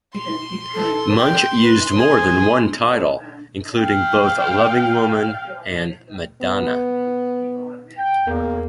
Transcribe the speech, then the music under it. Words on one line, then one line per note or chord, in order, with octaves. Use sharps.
Munch used more than one title, including both "Loving Woman" and "Madonna".
C6
A4
G5
B4
G#4 G#5
F5 G5
B3
G5
E2 A#3